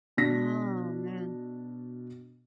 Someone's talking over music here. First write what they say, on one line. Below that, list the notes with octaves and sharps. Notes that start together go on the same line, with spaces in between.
Oh, man.
B2 D4 A#6 B6